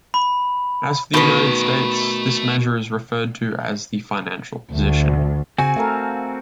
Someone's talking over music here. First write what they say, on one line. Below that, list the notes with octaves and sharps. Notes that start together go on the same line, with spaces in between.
As for the United States, this measure is referred to as the financial position.
B5
B2 D#3 A3 B4 C6
D2
C#3 C4 F#4 G#5
A3 A4 A#4 F5